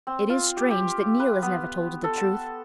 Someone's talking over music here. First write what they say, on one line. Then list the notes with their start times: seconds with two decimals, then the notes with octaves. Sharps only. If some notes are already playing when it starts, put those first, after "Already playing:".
It is strange that Neil has never told her the truth.
0.07 C4
0.30 F4
0.57 G4
0.71 G4
1.20 B4
1.42 B3
2.04 A4
2.18 A5